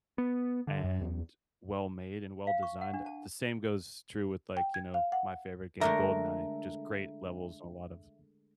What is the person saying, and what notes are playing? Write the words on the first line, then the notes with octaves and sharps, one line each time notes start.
and well made, and well designed, uh, the same goes true with like, you know, my favorite game, GoldenEye, just great levels and a lot of
B3
D3
F#2
E2
F5
C#6
F#5
D4
A5
G5
G#6
F5
F#5
D3 G#3 A3 A#4 E5